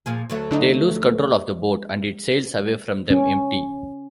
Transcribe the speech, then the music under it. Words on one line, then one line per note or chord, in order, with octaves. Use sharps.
They lose control of the boat, and it sails away from them, empty.
A#2 F3 G#4
D2 F#3 A3
D3 D4 D#4
C#4